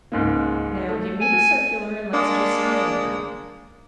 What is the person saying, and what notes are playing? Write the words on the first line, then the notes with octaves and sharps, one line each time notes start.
Now give me the circular, and let's do some figuring.
C#2 G#2 A#3
A3
G#5
G#3 A#3 D4